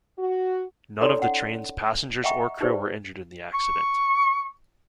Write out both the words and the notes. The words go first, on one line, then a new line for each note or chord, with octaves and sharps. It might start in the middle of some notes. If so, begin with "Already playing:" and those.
None of the train's passengers or crew were injured in the accident.
F#4
D#4 A4 C#5 D5 A#5 C6
C#4 F#5
D#5 E5 F#5 G5 A#5 C#6
D#4 E4 G4 B4 C5 D5
C#6